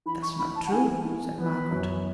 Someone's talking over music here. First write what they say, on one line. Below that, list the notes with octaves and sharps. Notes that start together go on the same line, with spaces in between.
'That's not true,' said Margaret.
E3 B5
C#6
E3 B5
A5
F#5
E3 G#5
E3
B3 B4
F#2